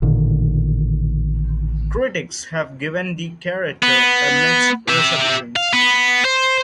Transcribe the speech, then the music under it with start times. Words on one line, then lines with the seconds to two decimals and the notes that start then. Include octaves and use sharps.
Critics have given the character a mixed reception.
0.02 A1 A#2 D3 D#3
3.83 B3
4.88 G4 E5
5.56 F5
5.73 B3
6.25 C5